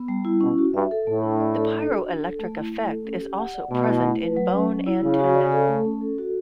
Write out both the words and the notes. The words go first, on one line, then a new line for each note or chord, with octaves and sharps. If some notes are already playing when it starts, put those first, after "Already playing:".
The pyroelectric effect is also present in bone and tendon.
Already playing: B3
G3
E4
B2 C#4
F#4
G2 E5
A4
A2 A3
D4
D5
A4
D4
F#4
D4
A4
A3
E4
A3
A4
C#4
G4
F#5
D5
B2 A3
E4
A3
B4
F#3
C#4
F#3
E4
C#3 C#4
F#4
D5
A4
A3
C#4
A4
F#4